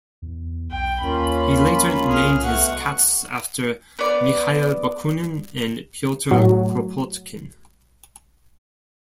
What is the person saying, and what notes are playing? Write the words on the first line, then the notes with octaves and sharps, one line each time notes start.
He later named his cats after Mikhail Bakunin and Piotr Kropotkin.
E2
B1 G5
D#2 A#3 C#4 F4 B5
C2 G#4 F6
B2 A3 F#5 C#6
B3 D5
A2 F#3